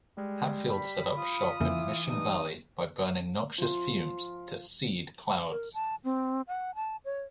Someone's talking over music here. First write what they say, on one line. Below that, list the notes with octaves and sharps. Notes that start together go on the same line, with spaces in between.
Hatfield set up shop in Mission Valley by burning noxious fumes to "seed" clouds.
G3 G#3
B5
F4 D#6
F2 C#3 E3 A#3 E4
G2 D#4 D#6
F3 F4
A#4
A5
C4
F#5
A5
C#5